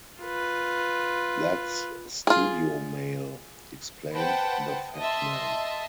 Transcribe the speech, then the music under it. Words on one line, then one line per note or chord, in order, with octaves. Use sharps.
"That's studio mail," explained the fat man.
F4 B4
F4 G#4
B4 C5 F#5 G5 A5
D#5 E5 A5 C6